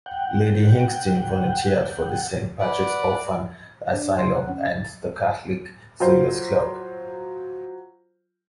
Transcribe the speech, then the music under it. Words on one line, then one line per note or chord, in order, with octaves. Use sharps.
Lady Hingston volunteered for the Saint Patrick's Orphan Asylum and the Catholic Sailors' Club.
F#5 G5
B4 D5 F#5
D4
C6
F#5
C#4
A6
F#3 F4 C5